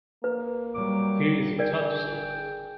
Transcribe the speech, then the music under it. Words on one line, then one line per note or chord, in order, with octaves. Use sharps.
He is a Tutsi.
A#3 B4
F#3 G3 D6
D3 G#4 A#4 D5 G5